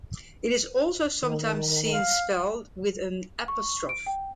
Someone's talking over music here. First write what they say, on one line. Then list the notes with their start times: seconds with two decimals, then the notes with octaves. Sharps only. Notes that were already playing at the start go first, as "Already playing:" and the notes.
It is also sometimes seen spelled with an apostrophe.
1.23 D#3
1.94 F5
3.48 C#6
3.89 D7
4.06 G5